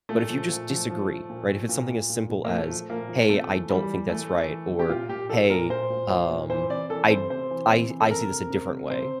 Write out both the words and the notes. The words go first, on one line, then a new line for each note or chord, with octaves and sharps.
but if you just disagree, right? If it's something as simple as, "Hey, I don't think that's right," or "Hey, um, I I I see this a different way."
A#2 A3
F3
A#2
F3
F3
F3
A#2
F3
A#2
A#2
A#2
A#2
A#3
F3 A3
F3
A#2 A#3
F3
C3 A3
E3
E3 G3
E3
E3 A3
E3
E3
C3
G4
A#2 F4
A#2 G4
F3 A4
A#2 A#4
A#2 C5
A#2
F3
A#2
E3 C5
C3 D5
E3 A4
C3 C5
C3 C5
E3
C3
E3
A4
C3 A#4
C3
C3
C3
C3 C5